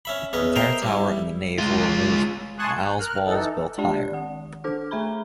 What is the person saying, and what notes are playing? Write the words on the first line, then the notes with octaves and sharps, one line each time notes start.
The entire tower and the nave were removed and aisles walls built higher.
C#4 E5 B5
E2 C#4 B4 D#5
A#4 C5 D#5 E5 G5 A#5
G3 E4
G#3 F4
G#5 A5 C6 C#6 D#6 F#6
G6
A#4 F6 F#6
E3 D#4 A4
G#3 D4 G4 D5 A5
D#3 F#5
D4 A4 C5 D6 F6
A3 G#4 E5 A#5 B5 G7